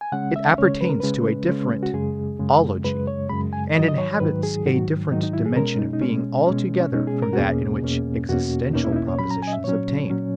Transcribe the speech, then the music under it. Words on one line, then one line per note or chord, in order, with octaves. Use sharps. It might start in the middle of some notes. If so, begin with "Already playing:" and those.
It appertains to a different "-ology," and inhabits a different dimension of being altogether from that in which existential propositions obtain.
G#5
C#3 G#3 C#4 F#5
E5
C#3 G#3 C#4 C#5
B4
A#4
C#3 G#3 C#4 B4
C#3 G#3 C#4
F#4
F#2 C#3 G#3 G#4
F#2 C#3 G#3
F#2 C#3 G#3 B4
C#5
F#2 C#3 G#3 B5
G#5
G#2 D#3 F#3 D#5
D#5
C#5
G#2 D#3 F#3 B4
G#4
G#2 D#3 F#3 F#4
G#2 D#3 F#3 D#4
D#4
E4
G#4
B2 G#3 C#4 A#4
D#4
D#4
B2 G#3 C#4
B2 G#3 C#4
C#4
B2 G#3 C#4 D#4
G#4
A#4
F#4
E2 B2 A#3 C#4 G#4
E2 B2 A#3 C#4
E2 B2 A#3 C#4 F#4
E2 B2 A#3 C#4 D#4
E4
D#4
E4
C#5
A#2 F#3 C#4 B5
A#5
G#5
D#5
E5
A#2 F#3 C#4 C#5
A#2 F#3 C#4